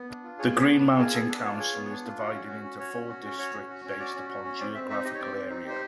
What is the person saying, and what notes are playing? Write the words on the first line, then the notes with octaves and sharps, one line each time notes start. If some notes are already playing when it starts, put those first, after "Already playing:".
The Green Mountain Council is divided into four districts based upon geographical area.
Already playing: B3
D4
F4
G#4 C#5
B3
C#5
D4
B4
F4
G#4 A#4
B3 A4
D4 A4
F4 C#5
D5
G#4 C#5
B3
D4
F4
F#4
C#4
F#4
C#4
F#4 C#5
C#4
F#4
C#4
F#4 C#5
C#4
F#4
C#4 C#5
F#4 D5
C#4
F#4
C#4
C4 D5
C4 E5
D#4 E5
G4 D#5
C#5
C4 D5
C4
D#4
G4 C5